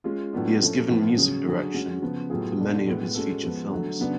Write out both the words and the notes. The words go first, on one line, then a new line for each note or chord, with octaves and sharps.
He has given music direction for many of his feature films.
G#3 C#4 F4
A2 F#3 B3 D4 F4
F3 A3 C#4
A2 F3 B3
C#3 F#3 C#4 G#4
D3 F#3 C#4 G#4
G#3 C#4 F#4
C#3 F3 B3
A2 F#3 B3 F4 G#4
B2 A3 D4 F4
A2 G#3 B3
G#3 C#4 F#4 A4
F3 G#3 B3
D3 F#3 A3
C#3 F#3 B3 D4